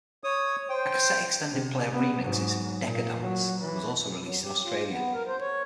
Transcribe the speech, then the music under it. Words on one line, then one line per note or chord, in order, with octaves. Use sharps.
A cassette extended play of remixes, "Dekadance", was also released in Australia.
C#5 D#6
C5 G5
C3
B3
G#2 F#3
A#2
F#3
E3
F#3
G4
F4
B3
A#4
C5
C#5